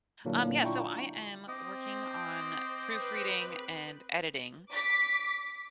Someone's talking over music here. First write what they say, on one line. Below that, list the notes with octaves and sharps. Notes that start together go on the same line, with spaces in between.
Um, yeah, so I am working on proofreading and editing,
A#2 D3 F#3 A#3 D4 E4
D4 E4 F4 G5 A#5 C#6
C4 D#5 D6 D#6
B4
D6 B6